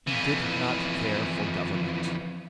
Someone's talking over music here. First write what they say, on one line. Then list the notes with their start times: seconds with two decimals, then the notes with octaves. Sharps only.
He did not care for government.
0.07 F2 E3